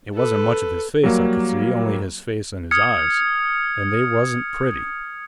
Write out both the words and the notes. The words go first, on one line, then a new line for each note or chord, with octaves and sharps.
It wasn't much of his face I could see, only his face and his eyes,--and they wasn't pretty.
A4 B4
F#3 G3 A#3
D#6 F6 G#6 C#7